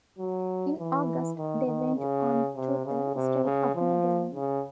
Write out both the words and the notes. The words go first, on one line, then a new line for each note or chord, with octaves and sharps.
In August they went on to the Strait of Magellan.
F#3
E3
D#3
D#3
C#3
C3
C#3
C3
C#3
F3
C#3